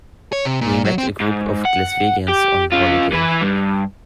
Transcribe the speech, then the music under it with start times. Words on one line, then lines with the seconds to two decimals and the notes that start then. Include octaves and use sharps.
We met a group of Glaswegians on holiday.
0.32 C#5
0.45 C3
0.61 A#2
0.85 F#3
0.98 C4
1.20 G#2
1.65 F#5
2.29 G4
2.73 C#4 F4
3.12 E3 B4
3.41 G2